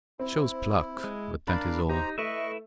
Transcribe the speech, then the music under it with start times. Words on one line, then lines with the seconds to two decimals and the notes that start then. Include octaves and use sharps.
It shows pluck, but that is all.
0.19 C4 E4
1.04 G#3
1.48 D4 A#4 D5 F5 B5
1.89 D#4 G4 C5 A#5
2.18 A3 E4 B4 D#5 E5 C#6